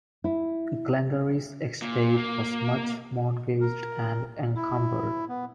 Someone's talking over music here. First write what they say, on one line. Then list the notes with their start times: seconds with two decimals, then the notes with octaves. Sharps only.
Glengarry's estate was much mortgaged and encumbered.
0.24 E4
1.82 A#2
2.17 A#3
3.60 A#4
4.56 E4
5.29 B3